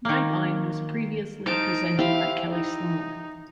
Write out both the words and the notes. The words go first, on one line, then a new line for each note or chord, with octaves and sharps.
"Nightline" was previously presented by Kellie Sloane.
D#3 A#3
D#4 C5 F5 A5 D7
E4 G4 C5 F5
D#4